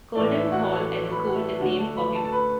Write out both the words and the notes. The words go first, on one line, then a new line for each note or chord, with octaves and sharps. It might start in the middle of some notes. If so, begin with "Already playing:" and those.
Colden Hall at the school is named for him.
A1 A2 E3 A3 D5
E5
F#4 F#5
A4 A5
B4 B5
F#5
E5
A5
D2 D3 A3 D4 F#4 F#5
A4 A5
B4 B5
A4 A5
A5
B4 B5